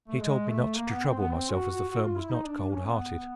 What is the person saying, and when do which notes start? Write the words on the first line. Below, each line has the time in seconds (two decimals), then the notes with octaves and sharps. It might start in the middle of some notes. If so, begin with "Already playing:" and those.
He told me not to trouble myself, as the firm was not cold-hearted.
0.08 A3
0.20 G#3
0.48 A3
0.75 A#3
0.90 B3
1.03 C4
1.17 B3
1.32 C4
1.50 F#4
1.70 F#4
1.88 F#4
2.02 F4
2.16 E4
2.30 D#4
2.44 D4
2.58 D4
2.72 C#4
2.86 B3